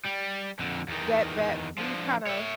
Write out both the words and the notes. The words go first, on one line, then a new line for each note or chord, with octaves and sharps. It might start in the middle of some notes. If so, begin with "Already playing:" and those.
that that we kinda
G3
F2 D3
E2 D#3
D3 F3
C#5 E5